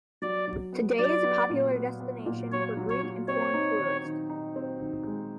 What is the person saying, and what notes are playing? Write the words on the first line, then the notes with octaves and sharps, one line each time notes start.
Today is a popular destination for Greek and foreign tourists.
F#3 D5
F#3
B3
F#3 D5
B3
A#2
B3
B3
A#2
F#3 C#5
F#3
C#5
F#3
C4 C#5
D#4
D#3
D#3
D#4
C4
D#3
G#3